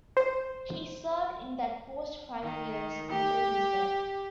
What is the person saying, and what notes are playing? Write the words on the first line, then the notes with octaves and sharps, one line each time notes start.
He served in that post five years, until his death.
C5
D#3
G4